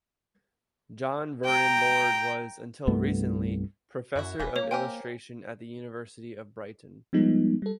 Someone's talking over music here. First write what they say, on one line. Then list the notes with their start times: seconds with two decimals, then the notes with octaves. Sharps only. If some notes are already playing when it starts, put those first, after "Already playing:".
John Vernon Lord was, until recently, Professor of Illustration at the University of Brighton.
1.45 G5 A#5
2.87 C2 G2 A3 B3
4.16 F#2 D4 E4 F#4
4.39 E1 E3 B3 B4
4.56 A#3 C#4 C#5 F7
4.71 G4 A#4 C5 G5 G#5
7.13 F3 G3 G#3 B3 D#4
7.62 G3 A4